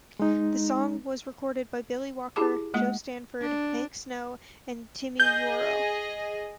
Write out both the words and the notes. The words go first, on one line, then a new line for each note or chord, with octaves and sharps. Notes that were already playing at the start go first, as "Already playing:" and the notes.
The song was recorded by Billy Walker, Jo Stafford, Hank Snow, and Timi Yuro.
G#3 D#4
E4 G4 G#4 A5 D6
G#3 A#3 F#5
D4
G#4 D#5 G6